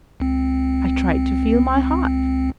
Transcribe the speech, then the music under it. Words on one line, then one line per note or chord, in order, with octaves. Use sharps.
I tried to feel my heart.
C#2 C4